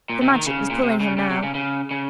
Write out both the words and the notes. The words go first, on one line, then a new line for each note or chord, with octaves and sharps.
The Magic was pulling him now.
A#2
C3
D#3
C#3
A#2
C3
C#3
C#3
C3
C#3
C#3
C#3